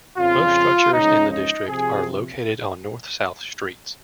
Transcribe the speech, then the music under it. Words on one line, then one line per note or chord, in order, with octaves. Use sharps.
Most structures in the district are located on north-south streets.
F2 C#3 F3 C4 F4
C#2 C#3 F3 G#3 C#4 D#4
D#4
C3 F3 C4 G#4